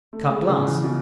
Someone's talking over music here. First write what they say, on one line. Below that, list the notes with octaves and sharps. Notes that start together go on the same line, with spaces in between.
Cut glass.
A3
G#3
C#3
E3
B2